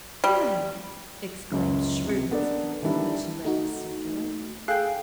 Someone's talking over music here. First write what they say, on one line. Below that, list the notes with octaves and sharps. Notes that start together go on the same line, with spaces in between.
"Good!" exclaimed shrewd Miss Patsy, when she read this circular.
G3
F#1 C#2
C#2 C3 C#7
B3 D4 A4 A#4 D5
D#3 E3 G3 D4 E4
A3 D#4 F#4
G#4 A4 F5 G5 F#6